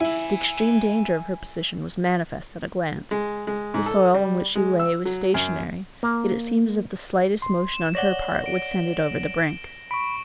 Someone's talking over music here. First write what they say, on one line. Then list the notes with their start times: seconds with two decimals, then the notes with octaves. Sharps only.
The extreme danger of her position was manifest at a glance; the soil on which she lay was stationary, yet it seemed as if the slightest motion on her part would send it over the brink.
0.01 E4 G#5 B5
3.11 G#3
3.47 G#3
3.74 G#2
3.86 A4
4.15 G3
4.55 G#3
4.79 E6
5.05 F#3
5.34 F#2
6.03 A#3
7.42 C6
7.74 E7
7.95 C#5 D5 F#5 A#6 F#7 G7
8.46 D7
9.91 B5 C#6 D7